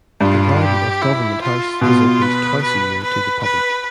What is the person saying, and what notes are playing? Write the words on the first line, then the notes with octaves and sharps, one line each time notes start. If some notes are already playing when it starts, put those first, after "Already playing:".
The garden of Government House is opened twice a year to the public.
G2 F4
G4
E4
F4
B2 F4
B4
B4
B4
B4